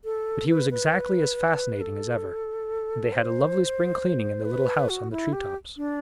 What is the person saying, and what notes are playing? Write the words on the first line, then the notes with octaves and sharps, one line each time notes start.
But he was exactly as fascinating as ever, and they had a lovely spring cleaning in the little house on the tree tops.
A4
B4
B4
A4
C5
B4
F#4
E4
G4
D4